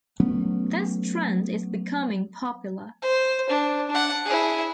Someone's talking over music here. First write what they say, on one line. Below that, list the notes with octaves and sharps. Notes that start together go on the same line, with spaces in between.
This trend is becoming popular.
F#3 A3 B3 C#4
C5
D4
D4 F#5
E4 G#4